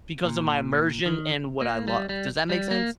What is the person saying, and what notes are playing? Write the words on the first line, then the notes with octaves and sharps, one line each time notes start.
because of my immersion in what I love. Does that make sense?
A#2
D#3
A#3
G3
G3
G3
A#3